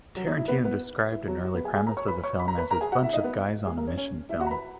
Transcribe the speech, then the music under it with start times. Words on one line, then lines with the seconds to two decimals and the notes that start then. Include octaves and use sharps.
Tarantino described an early premise of the film as his "bunch-of-guys-on-a-mission" film.
0.16 F#3 F#4
0.27 D#4
0.37 E4
0.48 B3 B4
0.64 B3 B4
1.12 E4
1.28 F#3 F#4
1.44 F#3 F#4
1.54 B3 B4
1.64 G#4 G#5
1.75 G#4 G#5
1.86 A#4 A#5
1.97 C#5 C#6
2.08 B4 B5
2.23 C#5 C#6
2.39 B5
2.48 A#5
2.58 B4 B5
2.71 A#4 A#5
2.81 G#4 G#5
2.92 F#4 F#5
3.03 E4 E5
3.13 D#4 D#5
3.24 B3 B4
3.66 G#3 G#4
3.77 A#3 A#4
3.87 C#4 C#5
3.97 C#4 C#5
4.29 E4 E5
4.40 F#4 F#5
4.47 A#5
4.51 B4 B5